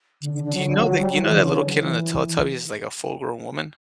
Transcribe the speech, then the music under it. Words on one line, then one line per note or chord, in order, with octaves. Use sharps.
Do y do you know that you know that little kid on the Teletubbies is like a full grown woman?
D3
D3
D3
F#3
D3
F#3
F#3
G3
F#3
E3
D3
C#3
D3
F#3
E3